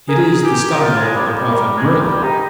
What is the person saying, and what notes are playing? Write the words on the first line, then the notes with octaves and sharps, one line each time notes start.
It is the style of the prophet Merlin.
G#4 A#4
G4
G4
D#4
F4 A#4
G#3
G3
F3
G3
A#4
G#3
G3
F3
G3
D#4 G4